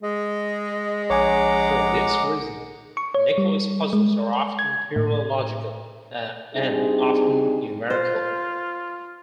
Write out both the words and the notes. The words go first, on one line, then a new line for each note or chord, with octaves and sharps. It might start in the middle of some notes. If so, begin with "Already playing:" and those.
For this reason Nikoli's puzzles are often purely logical, and often numerical.
G#3 D#5
A#1 C#5 F#5 G#5 A#5 D6
C#6
C#5
G3
G#3
G#6
A2
G3 C4 D4 D#4 G#4
F4 C5